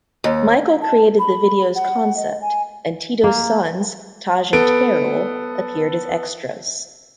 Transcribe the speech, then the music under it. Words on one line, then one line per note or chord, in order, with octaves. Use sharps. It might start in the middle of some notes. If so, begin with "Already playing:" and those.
Michael created the video's concept, and Tito's sons Taj and Taryll appeared as extras.
D#2
A5
B5
F#5
D#5
G#5
A#3
B3 A4 D7